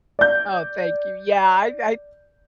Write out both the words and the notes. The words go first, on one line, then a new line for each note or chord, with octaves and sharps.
Oh, thank you. Yeah. I I
D5 G6